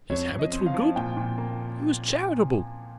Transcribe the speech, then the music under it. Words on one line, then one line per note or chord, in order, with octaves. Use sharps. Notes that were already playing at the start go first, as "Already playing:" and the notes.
His habits were good; he was charitable.
F2 C#5
F2
D#5
C4
F5
F3
A#2 G5
A#2
A#3